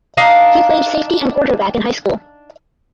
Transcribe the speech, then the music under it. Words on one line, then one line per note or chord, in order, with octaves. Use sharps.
He played safety and quarterback in high school.
D4 D#4 F5